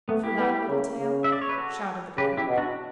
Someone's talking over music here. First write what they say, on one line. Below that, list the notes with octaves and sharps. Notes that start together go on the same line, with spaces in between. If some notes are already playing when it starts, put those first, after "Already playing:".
"For that little tale," shouted the Critic.
A3 B3
E4 G4
B3
C#3
C#3
E5
D5
C#5
B4
F#4 A4
C#3 G4 B4
E4 G4
B2
D4 F#4